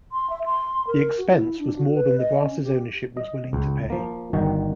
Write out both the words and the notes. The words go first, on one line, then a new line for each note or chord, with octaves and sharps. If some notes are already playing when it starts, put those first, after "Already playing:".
The expense was more than the Brass' ownership was willing to pay.
C6
E5
C6
A#4
F#4
E4
D4
F#4
B4
D#5
C#4
G4
D#5
C#2
F3 A#3
G1 D#3 F#4 G5